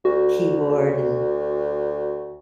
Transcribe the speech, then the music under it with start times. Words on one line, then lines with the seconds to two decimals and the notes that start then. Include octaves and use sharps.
keyboard and
0.05 D2 F#4